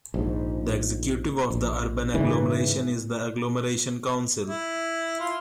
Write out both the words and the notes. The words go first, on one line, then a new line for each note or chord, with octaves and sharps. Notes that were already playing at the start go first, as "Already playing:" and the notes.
The executive of the urban agglomeration is the agglomeration council.
A#1 G#2
A#1
G#2 C#3 E3
E4
F4